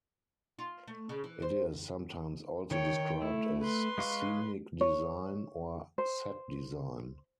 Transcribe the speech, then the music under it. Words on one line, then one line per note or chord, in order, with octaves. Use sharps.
It is sometimes also described as "scenic design" or "set design".
F4
A3
C#3
E3
C5
D#3 C#5 G5
A3 E4
B4 C6
G#3 F5 C#6
C#5
C5